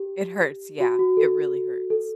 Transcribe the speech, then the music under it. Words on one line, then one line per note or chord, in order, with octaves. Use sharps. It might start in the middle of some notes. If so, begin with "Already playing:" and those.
It hurts, yeah, it really hurts.
Already playing: G4
F#4
F#4
A4
A4